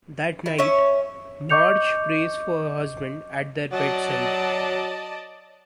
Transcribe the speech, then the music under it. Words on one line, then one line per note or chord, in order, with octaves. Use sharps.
That night, Marge prays for her husband at their bedside.
E4
C#4 C#5 E5
D#5 C#6 D6 G6 C#7 F7
F#3 D5 D#5 A5